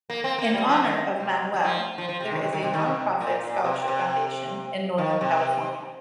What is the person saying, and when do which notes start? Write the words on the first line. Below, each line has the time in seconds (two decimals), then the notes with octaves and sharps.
In honor of Manuel, there is a non-profit scholarship foundation in Northern California.
0.10 A#3
0.24 C4
0.39 A#3
0.54 G3
0.68 F3
0.84 D#3
1.20 C3
1.54 G3
1.64 F3
1.98 F3
2.09 F3
2.20 C3
2.31 D#3
2.41 C3
2.53 D#3
2.63 C3
2.74 D#3
2.85 C3
3.21 A#2
3.43 A#2
3.64 C3
3.88 C3
4.98 D#3
5.21 C3